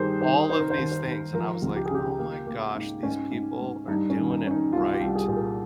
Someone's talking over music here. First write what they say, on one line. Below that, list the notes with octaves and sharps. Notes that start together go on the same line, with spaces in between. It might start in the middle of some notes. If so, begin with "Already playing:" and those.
all of these things, and I was like, "Oh my gosh, these people are doing it right."
Already playing: G2 D#3 G4 G#4 A#4 C5
D#3 C5
D#3 C5
A#4
C5
D#2
C5
D#2
F3 A#4
C#2
G4
G#4
C#3 G4
A#3
A#3
G#2
G#2 C#4
G#2
G#2
G2 D#4
C#4
D#3
D#4
D#3 C#4
D#4
C2 F4
G4
C2
G#4
A#2 G#4
A#4